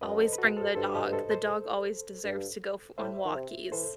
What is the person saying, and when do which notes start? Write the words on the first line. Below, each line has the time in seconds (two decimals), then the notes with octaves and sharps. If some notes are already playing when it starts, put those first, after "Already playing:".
Always bring the dog; the dog always deserves to go f on walkies.
0.01 F#2 B4 D#5
0.20 A4 C5
0.33 B4
0.38 F#4 A4
0.57 A4 C5
0.75 G2 A4 C5
0.94 B4 D#5
1.12 A4 C5
1.31 A4 C5
2.24 G2
2.98 A2 C5 E5
3.25 D#3
3.35 C3
3.72 E3 A4 C5